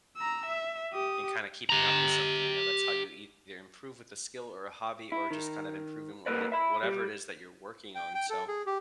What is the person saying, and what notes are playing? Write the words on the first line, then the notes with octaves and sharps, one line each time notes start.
and kinda keeping up with something, you know, that's how you either improve with a skill or a hobby or just kind of improving what it whatever it is that you're working on, so.
A#5 E6
E5
G4 D#6
G4 A#5
E4
D#3
A#3 A#4 B4 D5
E5 B5
G3
G5
G5
A4
G#4
G4